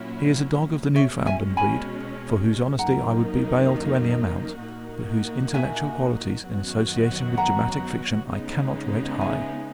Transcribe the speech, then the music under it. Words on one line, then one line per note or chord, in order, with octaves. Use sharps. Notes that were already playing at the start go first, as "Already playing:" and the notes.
He is a dog of the Newfoundland breed, for whose honesty I would be bail to any amount; but whose intellectual qualities in association with dramatic fiction, I cannot rate high.
Already playing: A#2 F#3 C#4 E4
B2 G#3 C#4 C#5 E5
E5 G#5
G#5 B5
F#2 D#3 A#3 D#4 F#5 A#5
A#2 A#3 D#4 F#4
E5 G#5
F#2 D#3 F#3 B3 F#4
F#5 A#5
C#3 G#3 B3 D#4
E5 G#5